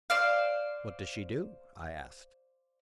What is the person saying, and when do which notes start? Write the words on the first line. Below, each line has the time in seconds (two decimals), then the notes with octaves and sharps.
"What does she do?" I asked.
0.10 C5 D5 F5